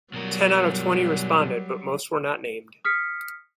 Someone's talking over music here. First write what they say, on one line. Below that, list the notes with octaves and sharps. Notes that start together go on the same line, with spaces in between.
Ten out of twenty responded, but most were not named.
B2 F#3 G3 A#4
D#6 F6 B6 C#7